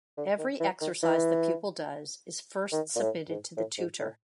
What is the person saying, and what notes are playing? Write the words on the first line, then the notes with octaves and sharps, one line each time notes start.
Every exercise the pupil does is first submitted to the tutor.
D3
D#3
E3
D#3
E3
D#3
A#2
A2
G#2
A2
G#2
A2